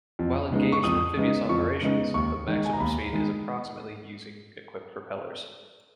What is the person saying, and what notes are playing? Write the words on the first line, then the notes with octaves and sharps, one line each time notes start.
While engaged in amphibious operations, the maximum speed is approximately using equipped propellers.
F2
C#3 G#3 B3 D#4
C#6
F2 D#6
C#3 G#3 B3 D#4
F2 C#6
C#3 G#3 B3 D#4
D#2 C#6
D#3 G#3 D#4
G#5
A#5
D#2 B5
D#3 G#3 D#4